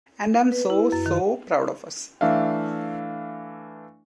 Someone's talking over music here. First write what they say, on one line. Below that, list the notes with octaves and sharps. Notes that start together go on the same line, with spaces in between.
And I'm so so proud of us.
B4
E4
F#2
D#3
E3 A3 D4 E5 F5